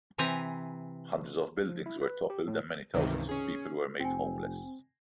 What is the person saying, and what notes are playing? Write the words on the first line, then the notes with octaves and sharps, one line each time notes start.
Hundreds of buildings were toppled and many thousands of people were made homeless.
C3 E3 C4 G#5 A#5
F3
E4
B4
G4
A2
C#2 G2 C3 D#3 E3
C#4 G#4
F1 C4 G5 G#5